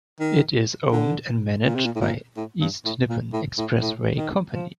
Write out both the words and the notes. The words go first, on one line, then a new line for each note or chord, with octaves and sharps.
It is owned and managed by East Nippon Expressway Company.
D#3
D3
A#2
C3
A#2
A2
A#2
A2
G2
A2
A#2
A2
A2
A2
D#3
F3